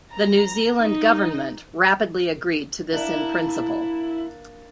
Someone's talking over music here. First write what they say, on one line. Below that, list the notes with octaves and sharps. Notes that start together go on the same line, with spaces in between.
The New Zealand Government rapidly agreed to this in principle.
A#5
D#4
A#3 D4 E4